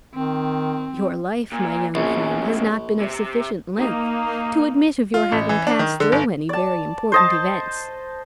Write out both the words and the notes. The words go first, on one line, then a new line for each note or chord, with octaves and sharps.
"Your life, my young friend, has not been of sufficient length to admit of your having passed through any very important events."
D#3 C4
A#2
A#1 E2 C#3
C3
A#3 D#4
F4
A1
E3
D4
D#3
D3
G1
D5 A5
C5 D#5 A5